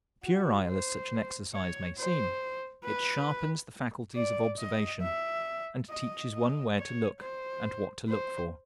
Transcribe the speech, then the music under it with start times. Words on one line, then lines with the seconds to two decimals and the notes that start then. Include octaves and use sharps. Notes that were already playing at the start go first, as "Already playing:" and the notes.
Puerile as such an exercise may seem, it sharpens the faculties of observation, and teaches one where to look and what to look for.
0.23 F#4
0.67 C5
1.54 C#5
1.98 C5
2.84 B4
4.16 D5
4.59 D#5
5.02 E5
5.90 D#5
6.33 D#5
6.78 C#5
7.20 C5
8.08 C5